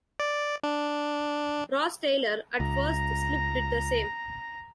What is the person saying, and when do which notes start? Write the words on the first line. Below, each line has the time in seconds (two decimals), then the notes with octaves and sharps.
Ross Taylor at first slip did the same.
0.20 D5
0.63 D4
2.60 C#2 A#5 A#6